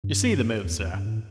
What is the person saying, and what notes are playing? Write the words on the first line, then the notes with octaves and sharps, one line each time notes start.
You see the move, sir?'
G2
E2
E2
G2
A2